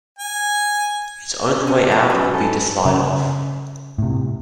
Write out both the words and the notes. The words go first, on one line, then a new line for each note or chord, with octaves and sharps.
His only way out would be to slide off.
G#5
C#4 F4
D4 A#4 A5
F3 C#4 A#4
F#3 C#4 G4 B4
C#4 A4
C#3
A2 C3